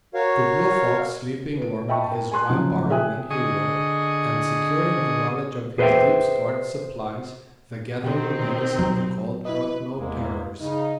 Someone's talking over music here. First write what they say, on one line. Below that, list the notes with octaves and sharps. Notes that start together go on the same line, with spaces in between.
To Blue Fox, sleeping warm in his dry burrow when he would, and secure in the knowledge of his deep-stored supplies, the gathering menace of the cold brought no terrors.
F#4 A#4 C#5 F5
B4 D7
D#5 E5 G5 A5 B5 C#6
A#4 G5
G#5 A5 C6 F#6
C#3 F3 F#3
G#4 E5 G5 G#5 D#6 F#6
D3 G#4 D#5 C#6 D#6
G#4 B4 C5 D5 E5 G5
B2 D#3 C4 F#4 G4
F#3
E4 B4 D#5
E2 G#3 A#3 E4
C#3 D#4